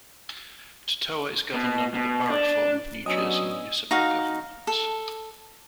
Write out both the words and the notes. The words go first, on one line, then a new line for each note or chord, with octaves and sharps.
Totowa is governed under the borough form of New Jersey municipal government.
B2
B2
D4
F#3 B3 C#4 D4 D#5 G#5 D#6 E6
D#4 F#4 F5
A4